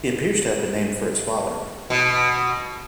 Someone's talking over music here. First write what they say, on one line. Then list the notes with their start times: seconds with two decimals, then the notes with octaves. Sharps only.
He appears to have been named for his father.
1.90 B2